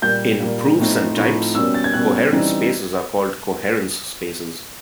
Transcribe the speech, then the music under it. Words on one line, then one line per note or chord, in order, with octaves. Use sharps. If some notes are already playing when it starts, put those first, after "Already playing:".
In "Proofs and Types" coherent spaces are called coherence spaces.
A#2 G3 A#3 G6
A#2 G3 A#3
A2 F3 A3 C4 D#4
A2 F3 A3 C4 D#4
B2 G3 A#3 C#4 E6
A6
G#6
B2 G3 A#3 C#4 F#6
C#3 E3 G3 C4 D#4